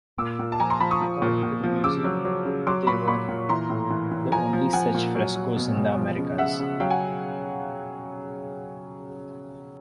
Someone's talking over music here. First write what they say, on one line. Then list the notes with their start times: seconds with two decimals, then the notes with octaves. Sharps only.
According to the museum, they were the only such frescoes in the Americas.
0.18 A#2 D6 E6
0.39 A#2
0.52 A5
0.60 F3 G#5 A#5
0.70 A#5 C6
0.80 F3 A5 B5
0.91 C#6 D#6
1.01 F3
1.22 A#2
1.43 A#2
1.63 F3
1.84 C#3 D6 E6
2.04 F#3
2.25 F#3
2.45 C#3
2.67 F#3 C6 D6
2.87 A#2 B5 C#6
3.08 A#2 B5 C#6
3.29 A#2
3.49 E3 A#5 C6
3.70 A2
3.90 E3
4.11 E3
4.32 F3 G#5 A#5
4.53 F3
4.73 F3 F#5 G#5
4.94 A#2
5.15 F#3
5.36 F#3
5.56 B2
5.77 B2
5.97 F3
6.18 C#3
6.38 C#3 E5 F#5
6.60 C#3
6.80 F#3 F5 G5
6.90 F#5 G#5